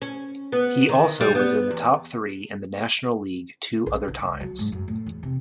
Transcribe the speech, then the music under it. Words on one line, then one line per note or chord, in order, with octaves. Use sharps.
He also was in the top three in the National League two other times.
C#4
B3
D#3
G3
B3
E2
A#1
D3
C#2
F#3
G#2
F#2
A2
E2
C3